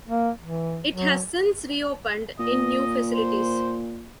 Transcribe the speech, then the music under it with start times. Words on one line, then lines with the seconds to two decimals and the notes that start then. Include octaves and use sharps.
It has since reopened in new facilities.
0.07 A#3
0.42 E3
0.90 F#3
2.39 A#2 D#5
3.13 C5